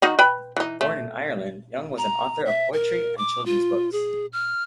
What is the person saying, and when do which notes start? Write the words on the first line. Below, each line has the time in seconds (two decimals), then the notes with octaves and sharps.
Born in Ireland, Young was an author of poetry and children's books.
0.02 D#3 D#4 F#4
0.19 B4 G5 B5
0.57 E3 D#4
0.81 A3
1.98 A#5
2.45 E5
2.73 A#4
3.17 D6
3.46 F4
3.92 G#4
4.33 F6